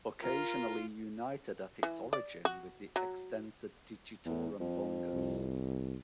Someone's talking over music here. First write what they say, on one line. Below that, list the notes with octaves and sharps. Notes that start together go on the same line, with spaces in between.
Occasionally united at its origin with the Extensor digitorum longus.
F4 A#4
E3
D5
F#4
F#3
E2
F2
C2